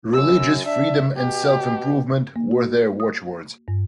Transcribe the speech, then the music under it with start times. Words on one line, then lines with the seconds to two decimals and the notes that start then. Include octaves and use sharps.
Religious freedom and self-improvement were their watchwords.
0.14 F#2 E6
0.65 D4 E5
1.17 B2 G4
2.36 A#3
2.51 F#4
3.00 D#6
3.68 G2